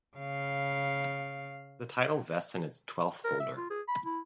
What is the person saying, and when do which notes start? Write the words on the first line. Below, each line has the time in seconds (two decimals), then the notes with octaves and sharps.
The title vests in its twelfth holder.
0.18 C#3 F5
3.24 A#4
3.40 E5
3.57 F4
3.70 G#4
3.88 B5
4.05 E4